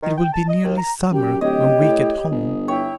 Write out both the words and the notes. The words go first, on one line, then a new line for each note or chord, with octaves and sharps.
It will be nearly Summer when we get home.
D#3
G5
A5
D#5
D#2
A#5
F#2 G4 G5
D1 G4 C#5 D#5
A2
G1
E4 C#5 E5 G5